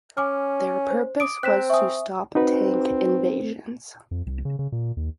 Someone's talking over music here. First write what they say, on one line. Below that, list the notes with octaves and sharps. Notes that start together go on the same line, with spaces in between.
Their purpose was to stop tank invasions.
C#4 G#5 D6 F6
C5
D6 D#6 D7
C4 C5 A#5 F#6 B6 E7
E5 G#5 C#6 D#6
C4 D#4 F#4 B4
F2
C2
C#3
C#3
A#2
D#2